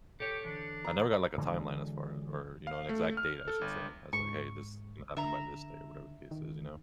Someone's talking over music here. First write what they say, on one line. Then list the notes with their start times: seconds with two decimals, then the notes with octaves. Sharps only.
I never got, like, a timeline as far as or, you know, an exact date, I should say. I was like, Hey, this happened by this day," or whatever the case is, you know?
0.20 B2 G4 A4 C#5
0.45 D3 E3 D4
0.85 A#5
1.38 D3 E3 F#3 G#3
2.67 F5
2.89 A3
3.17 F6
3.48 A4
3.61 G1
4.13 G#2 C#6
5.17 D3 E5 A#5
6.31 D#3